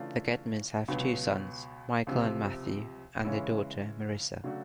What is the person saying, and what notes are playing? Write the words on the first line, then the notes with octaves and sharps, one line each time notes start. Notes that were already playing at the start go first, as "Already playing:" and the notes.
The Gedmans have two sons, Michael and Matthew, and a daughter, Marissa.
Already playing: C#3 E3 A3 D4 F4
C#2 B2 F#3 B3
C#2 C3 F3
C#3 E3 G#3 C#4 E4
C#3 F#3 A3 D4 F#4